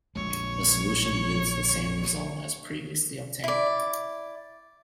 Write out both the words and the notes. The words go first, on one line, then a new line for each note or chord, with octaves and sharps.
The solution yields the same results as previously obtained.
A#1 G#3 C#5
E4 D5